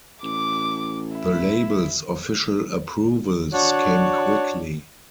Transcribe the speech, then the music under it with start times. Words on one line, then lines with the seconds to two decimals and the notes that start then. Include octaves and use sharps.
The label's official approvals came quickly.
0.23 A1 D6
1.15 E4
3.53 D4 F#4 C#5